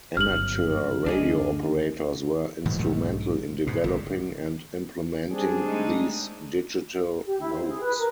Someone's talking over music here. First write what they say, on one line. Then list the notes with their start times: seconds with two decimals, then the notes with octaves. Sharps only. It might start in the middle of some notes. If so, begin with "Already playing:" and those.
Amateur radio operators were instrumental in developing and implementing these digital modes.
0.17 G1 F#2 F6 F#7
1.06 D2 D4 G#4 D#5
2.66 G#2 D#3 E3 F#3
2.78 B1 G#2 A3
3.67 G#2 B2
3.84 G1 G2
5.30 G3 C4 D4 G#4
5.64 G#3 A3 D#4
7.26 G4
7.40 E4
7.53 C5
7.68 G#4
7.82 B4
7.97 A#4